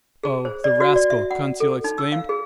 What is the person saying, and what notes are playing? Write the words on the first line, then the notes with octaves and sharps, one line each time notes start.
"Oh, the rascal!" Conseil exclaimed.
G#4
C5
D5
F#4
D5
E5
F#5
A4
D#4
E6
F5
G#4